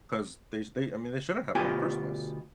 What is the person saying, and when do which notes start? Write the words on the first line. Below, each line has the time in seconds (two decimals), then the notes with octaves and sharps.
'cause they sh they I mean, they shouldn't happen in the first place.
1.55 D2 B2 F4 G4 G#5